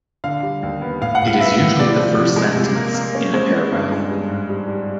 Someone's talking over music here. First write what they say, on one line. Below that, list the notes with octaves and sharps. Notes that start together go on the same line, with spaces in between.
It is usually the first sentence in a paragraph.
D3 F5
G3
D#2
B3
A2 F5
F#5
A2
F5
B3 E5
A2
C3 D5
F3
C3
G#3
C3
A#3
A#3
C#4
G#3 C5
B3
G2
G#3
G3
G#2
G3
G3